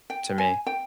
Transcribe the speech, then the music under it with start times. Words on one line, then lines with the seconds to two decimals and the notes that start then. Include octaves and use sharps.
to me.
0.10 G5
0.38 G#5
0.66 G5